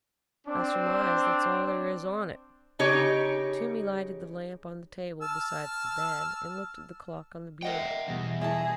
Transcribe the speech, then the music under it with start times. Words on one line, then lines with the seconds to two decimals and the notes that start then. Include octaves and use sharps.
"I surmise that's all there is on it." Toomey lighted the lamp on the table beside the bed and looked at the clock on the bureau.
0.47 C4 D4
2.79 C#3 D#4 G4 C#5
5.22 A5 E6 F6
7.62 A#4 D#5 E5 F#5 G5
8.08 E2 B2 G3 A#6
8.42 E4 G#4 D#5 A5